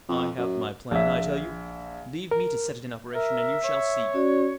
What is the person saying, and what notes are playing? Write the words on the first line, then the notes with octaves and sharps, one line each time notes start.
"I have my plan, I tell you; leave me to set it in operation, and you shall see."
F2
F#2
A#1 E5
A#4
A#4 E5
C#5
C#4 F#4 D5